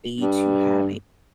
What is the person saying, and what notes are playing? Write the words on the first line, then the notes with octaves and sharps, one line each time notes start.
stage to have a
G2